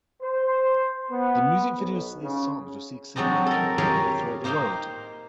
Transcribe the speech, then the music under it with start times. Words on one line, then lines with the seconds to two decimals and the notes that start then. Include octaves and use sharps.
The music videos to these songs received significant airplay throughout the world.
0.22 C5
1.10 B3
1.77 B1
2.22 C#3
3.16 F#3 G#3 C4 D4 D#4
3.46 A4 A#4
3.78 G4 G#4 A#4 C#5 D5 F5
4.44 A#3 D#4 C5 F5 G5